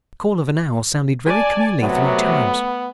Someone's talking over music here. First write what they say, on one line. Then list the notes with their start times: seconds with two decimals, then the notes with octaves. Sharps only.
The call of an owl sounded very clearly three times.
1.26 D5 G#5 A5
1.81 C3 F#3 A3 B3